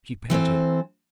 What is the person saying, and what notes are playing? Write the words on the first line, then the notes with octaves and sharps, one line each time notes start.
She panted.
E3 C4 A4 C5